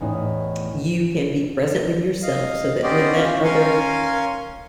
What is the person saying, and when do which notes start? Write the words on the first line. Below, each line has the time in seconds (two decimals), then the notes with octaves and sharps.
you can be present with yourself so that when that other
0.01 E2 A2 D#4
2.22 D#5 F5
2.83 B3 C#4 G4 C5 D5 D#5
3.16 C#4 F4 C5
3.44 C#4 A#4 F5 G#5 C6 C#6